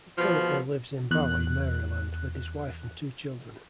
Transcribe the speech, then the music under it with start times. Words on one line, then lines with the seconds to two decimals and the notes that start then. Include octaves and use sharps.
He currently lives in Bowie, Maryland with his wife and two children.
0.18 B2 F3
1.11 E2 F#6